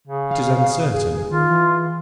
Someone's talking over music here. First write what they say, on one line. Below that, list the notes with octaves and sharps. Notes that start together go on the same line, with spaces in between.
It is uncertain.
C#3
F5
G#4
D#3 F4
E3